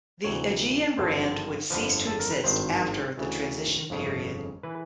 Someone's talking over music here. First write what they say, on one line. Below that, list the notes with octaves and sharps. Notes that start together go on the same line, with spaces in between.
The Aegean brand would cease to exist after the transition period.
D2 C3 E3 C#5
G#1 G2 D3 F3 C5
G1 F2 D3 F3 B4
A4
A#4
B4
G#1 G2 D#3 C5
D2 C#3 E3
G1 F2 C#3 F3
E3 B4